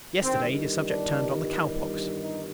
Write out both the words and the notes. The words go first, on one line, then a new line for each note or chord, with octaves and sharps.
Yesterday, the subject turned on the cow-pox.
G1 G2 D#3 G3 C4
D4
D#4